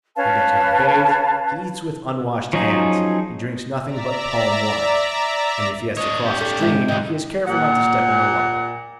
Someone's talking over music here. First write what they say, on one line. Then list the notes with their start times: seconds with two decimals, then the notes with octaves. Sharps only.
He does not bathe, he eats with unwashed hands, he drinks nothing but palm wine, and if he has to cross a stream he is careful not to step in the water.
0.16 C#4 B4 F5 A5
2.53 F3 F#3 C#4 D#4 G#4
3.84 D5 E5 A#5
5.97 D4 C#5 D#5
6.24 G4
6.41 G4 A4
6.59 G#2 C3 G#3 E5
6.88 G#2 D3 F#3 D#5 G5
7.47 A#2 F#5